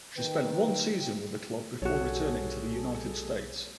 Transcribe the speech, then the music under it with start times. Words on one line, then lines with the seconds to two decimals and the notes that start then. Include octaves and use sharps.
She spent one season with the club before returning to the United States.
0.17 D#3 B4 G5
1.82 B1 G3 F#4 G#4 A4 C#5